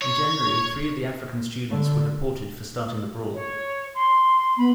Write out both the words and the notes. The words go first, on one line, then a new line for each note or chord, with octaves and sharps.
In January, three of the African students were deported for starting the brawl.
C#5
D3
C#5
C6
B3 B5